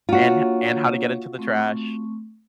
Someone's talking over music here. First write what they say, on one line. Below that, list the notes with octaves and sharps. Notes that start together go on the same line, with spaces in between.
and ho and how to get into the trash
A#3 D4 F4 F#4 C#5
A3 C4 C#6